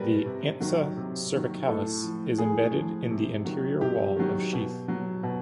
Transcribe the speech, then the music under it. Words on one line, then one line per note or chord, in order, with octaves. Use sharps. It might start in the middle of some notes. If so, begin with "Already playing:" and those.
The ansa cervicalis is embedded in the anterior wall of sheath.
Already playing: B2 G3 A#4 B4
C3
D#3 F#3
C3
D#3 F#3
A2 A4
F3
A2 G#4
F3
C3
D#3 F#3
C3 G4
D#3 F#3
B2
F#3
B2